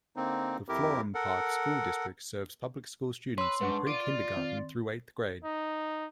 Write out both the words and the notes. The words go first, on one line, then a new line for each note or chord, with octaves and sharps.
The Florham Park School District serves public school students in pre-kindergarten through eighth grade.
D3 A#3 C4 D#4
F2 E4 G4 A#4
A4 A#4 F#5
B4 C#5 C6 E6
G#2 D4 B4 F#5 C#6
F4 D5 D6 D7 D#7
D#3 C4
D#4